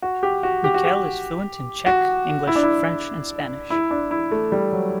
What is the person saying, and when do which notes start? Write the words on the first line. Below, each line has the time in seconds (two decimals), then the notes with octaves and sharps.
Nykl is fluent in Czech, English, French and Spanish.
0.02 F#4
0.23 G4
0.43 F#4
0.64 G4
0.74 F#4
0.85 G4
1.86 F#4
2.47 E4
2.56 D4
2.63 E4
3.70 E4
3.91 D4
4.11 E4
4.32 A3
4.52 G3
4.73 F#3